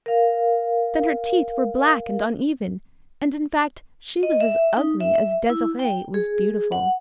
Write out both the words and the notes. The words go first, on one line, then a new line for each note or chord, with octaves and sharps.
Then her teeth were black and uneven, and, in fact, she was as ugly as Desiree was beautiful.
A#4 F5
D#5
E5
D#4
E5
E4
G5
G#4
F#5